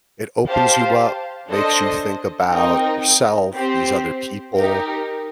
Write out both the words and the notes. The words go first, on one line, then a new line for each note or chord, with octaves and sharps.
it opens you up, makes you think about yourself, these other people,
G4 C5 F5 A5
D4 A4 C5 D#5
C4 D#4 A#4 D#5 G5
C4 G4 C5
D#4 G4 A#4